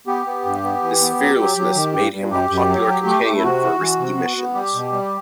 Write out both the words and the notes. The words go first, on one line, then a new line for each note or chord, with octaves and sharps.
This fearlessness made him a popular companion for risky missions.
B3 G4
B3
G2
B3
E3
B3
F#3
F#3
F#3
D#3
G2
G2
F#2 G4
F#2
F#3
F#3
A3
A3
E4
C3 F#4
E3
E3
C3
B3
B3
G3 G4
B2
G3